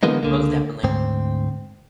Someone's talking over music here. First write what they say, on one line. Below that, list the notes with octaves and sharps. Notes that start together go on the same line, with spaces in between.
most definitely.
D3 E3 G#3 A#3 B3 D#4
C#2 D3 A#3
D2 G#2 C4